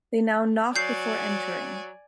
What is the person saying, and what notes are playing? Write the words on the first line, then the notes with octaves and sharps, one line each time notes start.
They now knock before entering.
F#3 D5 G#5 G6 C7